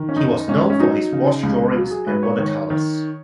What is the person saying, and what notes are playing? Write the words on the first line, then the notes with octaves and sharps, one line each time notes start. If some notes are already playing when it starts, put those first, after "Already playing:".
He was known for his wash drawings and water colours.
Already playing: D#3
C#4
F#2 D#4
G#2 C#4
C#4
F#3 D#4
C#3
C#2
F#3
G#4
G#2 B4
C#5
D#3 C#5
D#3